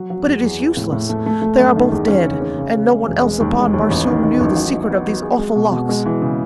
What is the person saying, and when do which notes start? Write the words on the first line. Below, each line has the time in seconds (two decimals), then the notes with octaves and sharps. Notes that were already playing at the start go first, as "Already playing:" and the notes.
But it is useless, they are both dead and no one else upon Barsoom knew the secret of these awful locks.
Already playing: F#3
0.10 F#3
0.27 E2
0.43 E2
0.59 E3
0.77 A2
0.92 A2
1.09 A3
1.26 A3
1.42 A3
1.58 F#2
1.76 D#3
1.92 E2
2.08 C#4
2.26 C#3
2.41 C#4
2.58 C#3
2.74 C#3
2.90 G#3
3.08 E1
3.24 G#3
3.40 D#2
3.58 G#3
3.73 D#2
3.91 A1
4.07 D#3
4.23 D#3
4.40 A1
4.56 F#3
4.72 D#4
4.89 B3
5.06 F#3
5.22 G#4
5.39 G#3
5.56 B2
5.72 B2
5.89 G#3
6.06 E3
6.22 C#3